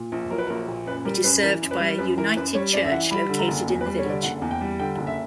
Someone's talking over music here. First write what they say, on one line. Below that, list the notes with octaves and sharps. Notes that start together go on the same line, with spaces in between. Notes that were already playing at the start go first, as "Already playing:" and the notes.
It is served by a United Church located in the village.
Already playing: A#2
A#1
F#3 A#4
B4
A#1 A#4
A#2
F#2 B4
G3 A#4
F#2 B4
E3 A#4
F#2
B4
G3
F#2 B4
E3 A#4
F#2 B4
G3 C#5
F#2 D5
E5
E3 F#5
G3 B5
D3
A#5
F#1
E2
B4
G3
C#5
D3 D5
F#1 F#5
E2
G5
G3
D3 G5
F#1
E5